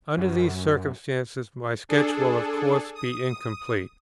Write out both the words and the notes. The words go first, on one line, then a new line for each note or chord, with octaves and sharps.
Under these circumstances my sketch will of course be incomplete.
F#2
D4 G#4 A4
D#6